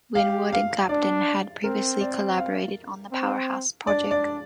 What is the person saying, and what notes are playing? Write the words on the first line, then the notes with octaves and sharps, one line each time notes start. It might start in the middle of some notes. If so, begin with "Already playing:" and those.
Winwood and Clapton had previously collaborated on the "Powerhouse" project.
G4 F5
F5
D4 D5
C4 A#4
D5
F5
C4
D4 D5
D5